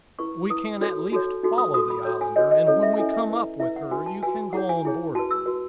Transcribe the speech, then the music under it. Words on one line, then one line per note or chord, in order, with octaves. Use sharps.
"We can at least follow the Islander, and when we come up with her you can go on board of her."
E4 B4 C#6
E4 B4 D#6
D#4 F#4 A4 C#5
D#4 F#4 A4 C#5
D#4 F#4 A4
D#6
D#4 F#4 A4 D#6
B5
F#4 A4 C#5
G#5
F#4 A4 C#5 D#5
D#5
C#4 E4 A4 C#5 D#5
E5
C#4 E4 A4 C#5 G#5
E5
E4 B4
E4 B4 E5
F#5
F#4 B4 G#5
A5
F#4 B4 G#5
E4 G#4 C#5 F#5
G#5
E4 G#4 C#5
F#4 B4 A5
E6
F#4 B4